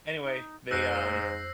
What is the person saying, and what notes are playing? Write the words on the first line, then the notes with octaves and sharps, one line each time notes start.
anyway, they, um
D#4
F2 G#2 C5 E6 F#6 G6 A#6 C7